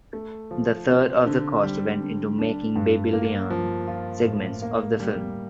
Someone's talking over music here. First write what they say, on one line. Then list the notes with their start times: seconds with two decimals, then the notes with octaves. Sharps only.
A third of the cost went into making the Babylonian segments of the film.
0.13 A3
0.51 F3
0.88 C4
1.26 D3
1.63 G3
2.00 D3
2.38 D4
2.75 G2
3.13 A#3
3.50 F3
3.87 F4
4.25 A2
4.62 A#3
5.00 G3